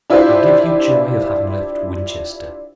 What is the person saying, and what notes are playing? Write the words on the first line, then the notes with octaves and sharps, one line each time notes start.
I give you joy of having left Winchester.
D4 E4 F4 G4 C5